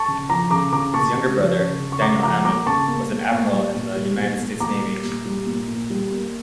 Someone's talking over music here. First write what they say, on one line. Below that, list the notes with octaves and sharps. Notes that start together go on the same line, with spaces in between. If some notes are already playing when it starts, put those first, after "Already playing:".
His younger brother, Daniel Ammen, was an admiral in the United States Navy.
Already playing: A5 C#6
C#3
F3 A#5 D6
C#3 A#5 D6
C#3 A#5 D6
A#3 A5 C#6
C#3
F3
C#3
C#3
C#6
C#3 A#5 D6
F3 A#5 D6
A#3 A#5 D6
C#3 A5 C#6
A#3
A#3
A#2
G3
A#2
G3
A#2
A#2
A#2 A#5 D6
G3
A#2
G3
A#2
A#2
G3
A#3